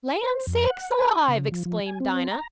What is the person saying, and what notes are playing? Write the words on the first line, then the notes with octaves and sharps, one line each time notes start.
"Land sakes alive!" exclaimed Dinah.
C5
F2
F#5
G#5
C#3
F3
F3
G#5
C4
A#5